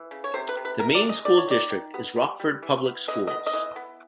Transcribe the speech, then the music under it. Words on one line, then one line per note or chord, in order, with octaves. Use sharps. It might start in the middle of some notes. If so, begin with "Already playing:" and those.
The main school district is Rockford Public Schools.
Already playing: E3
C#3
C#5
C3 C5
B4
C3
B4
C3 A#4
D5
G#3
D#5
D#3 D5
C#5
D#3 D5
D#3
B3
G3
G3
E3
B3
E3 D#5
B3 D#5
D#5
E3
B3